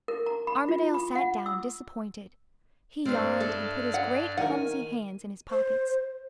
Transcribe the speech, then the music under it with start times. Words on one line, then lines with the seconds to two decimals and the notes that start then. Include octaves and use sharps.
Armadale sat down disappointed; he yawned, and put his great clumsy hands in his pockets.
0.08 A#4
0.26 A#5
0.47 B5
0.69 F4
0.94 B5
1.15 F#5
1.46 E6
3.05 G2 C4 B4 D5 F6
3.40 A4 E5
3.94 F#5
4.37 D#3 A#4 F#5 G#5
5.51 C5